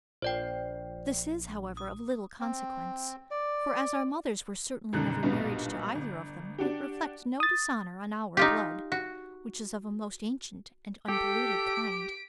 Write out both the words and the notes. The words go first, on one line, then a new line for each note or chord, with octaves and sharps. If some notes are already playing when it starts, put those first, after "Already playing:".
This is however of little consequence for as our Mothers were certainly never married to either of them it reflects no Dishonour on our Blood, which is of a most ancient and unpolluted kind.
A#1 C5 D5 G5
D#6
C4
D5
G1 F#2 B2 D#3 A4 F#6
B1 G2 A#2 B3
G1
D4 F#4 G4
D#6 A6
D#4 F4 G4
F#4
G4 A4 B6 D7